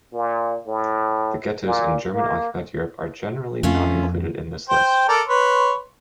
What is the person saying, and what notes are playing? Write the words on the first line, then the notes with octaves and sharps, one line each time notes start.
The Ghettos in German-occupied Europe are generally not included in this list.
A#2
A2
A#2
A#3
F2 A3 C#4 F4
C5 G5
A4 A#4 D5
B4 C#5 C6